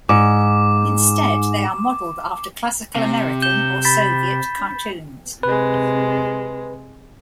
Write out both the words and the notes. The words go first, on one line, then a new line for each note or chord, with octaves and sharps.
Instead, they are modeled after classical American or Soviet cartoons.
G#2 D6
C3
G6 E7 G7
B5 A6 B6
C3 G#3 B4